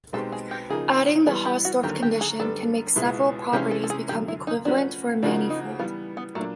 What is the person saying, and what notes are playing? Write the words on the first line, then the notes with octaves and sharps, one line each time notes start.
Adding the Hausdorff condition can make several properties become equivalent for a manifold.
B2 G#3 C4 D#4 G4 A4
G#4
G4
C#3 F3 A#3 D#4 G#4
E3 G3 B3 G#4
G4
F#4
D#2 D3 F#3 A#3 G4
G4
G#4
F#2 D3 G3 B3 D4 A4
C#2 B2 G#3 B3 E4
C3 E3 G#3 C#4 E4 G4
A4
A4
G#4
F#2 D3 F#3 G4
E4
D#4
F3 A3 C#4 D4 F#4 B4
C#3 F3 A#3 D4 D#4 F#4
D#4
E3 G3 B3 F4
B3
A#2 F#3 A3 A#3 D4